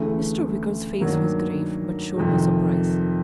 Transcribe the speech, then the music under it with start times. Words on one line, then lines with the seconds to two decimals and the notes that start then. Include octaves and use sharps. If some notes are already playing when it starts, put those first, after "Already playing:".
Mr. Wicker's face was grave but showed no surprise.
Already playing: D2 C#3 E3 A3
1.00 G2 D#3 F#3 A#3
2.16 F2 C3 D#3